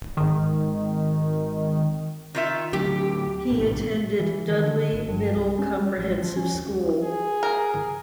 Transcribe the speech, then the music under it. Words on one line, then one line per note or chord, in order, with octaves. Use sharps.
He attended Dudley Middle Comprehensive School.
G#1 D#3
D#3 F4 E5
D2 F#3 G4
A#1 A2 C3
E3
D#3
D3
G#1
G2
C2
C#4
G3
A1
F3
C#4
D#2
G#4
A#4